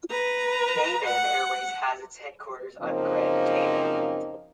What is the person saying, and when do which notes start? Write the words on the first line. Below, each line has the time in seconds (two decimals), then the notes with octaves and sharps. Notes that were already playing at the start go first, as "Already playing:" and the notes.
Cayman Airways has its headquarters on Grand Cayman.
0.10 B4 A#5
1.06 F#5
2.81 F#2 C#3 F3 A#3 C4 D#4